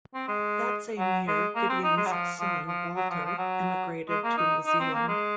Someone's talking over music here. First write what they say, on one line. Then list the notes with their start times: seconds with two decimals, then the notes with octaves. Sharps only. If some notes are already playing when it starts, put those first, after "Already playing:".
That same year, Gideon's son Walter emigrated to New Zealand.
0.14 C4
0.28 G#3
0.98 F#3
1.27 G#3
1.55 A#3
1.69 C4
1.83 D#4
1.97 G#3
2.06 F#3
2.12 F3
2.39 F3
2.68 F3
2.96 F#3
3.10 F3
3.24 F3
3.38 F#3
4.09 G#3
4.23 A#3
4.37 D#4
4.66 D#4
4.79 C4
4.93 A#3
5.08 G#3